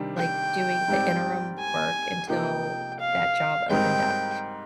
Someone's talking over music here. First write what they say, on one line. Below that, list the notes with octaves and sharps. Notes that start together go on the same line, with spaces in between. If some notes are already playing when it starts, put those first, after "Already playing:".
like, doing the interim work until that job opened up,
Already playing: C3 D#3 G3 D4
G5
G#2 G3 C4 G4 D5
G#5
C3 F3 A#3 D#4 G5
F5
G#2 G3 C4 D#4 A#4 G5